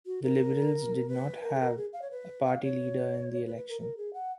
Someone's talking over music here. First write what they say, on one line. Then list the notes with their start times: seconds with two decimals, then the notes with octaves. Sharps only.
The Liberals did not have a party leader in the election.
0.06 F#4
0.23 A#4
1.08 B4
1.42 A#4
1.54 G#4
1.60 A#4
1.77 G#4
1.93 F5
2.02 C#5
2.11 B4
2.44 F5
2.62 C#5
3.46 B4
3.57 B4
3.69 A#4
3.80 A#4
3.97 G#4
4.13 F#5